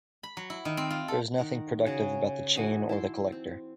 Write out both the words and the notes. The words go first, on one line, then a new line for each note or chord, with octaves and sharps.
There is nothing productive about the chain or the collector.
B5
F#3
E4
D#3
C4
F4
A4
D#3 A#4 F#5
C#3 F#4 G#4
E3 D#4 F#4 G#5
E4 A5 C6
C4